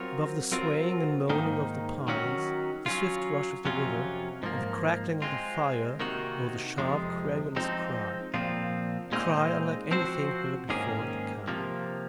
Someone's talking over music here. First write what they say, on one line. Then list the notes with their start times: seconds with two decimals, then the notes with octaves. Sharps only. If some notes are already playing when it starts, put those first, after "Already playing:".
Above the swaying and moaning of the pines, the swift rush of the river, and the crackling of the fire rose a sharp, querulous cry,--a cry unlike anything heard before in the camp.
Already playing: F#3 C4 F4 A#4 C#5
0.52 F#3 C4 F4 A#4
1.29 G#2 D#3 A#3 D#4
2.08 D#3 F#3 C#4 F#4
2.86 F#3 C#4 F4
3.65 F2 C3 F#3 C#4 F4
4.43 G#2 F3 A#3
5.22 G#3 C4 F4
5.99 C3 D#3 A#3 D#4 F#4
6.78 F2 C3 F3 G#3
7.56 F3 G#3 C4 D#4
8.34 A#2 F3 C4 F4
9.12 A#2 G#3 C4 D#4
9.91 F3 C4 F#4 C5
10.69 G#2 D#3 A#3 C#4 G#4
11.48 C3 F3 A#3